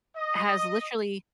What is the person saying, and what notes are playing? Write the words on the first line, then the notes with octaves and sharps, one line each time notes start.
has literally,
D#5